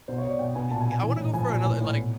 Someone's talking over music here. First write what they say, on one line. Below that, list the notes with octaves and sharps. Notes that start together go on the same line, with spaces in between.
I I wanna go for another, like
B2 C5
C#5
B2
D5
B2 G5
B2 G#5
A#2 A5
G#5
A#2
G#5
E3
A2
F3 G#5
A5
A#2 G#5
A2 G#5
A2
B2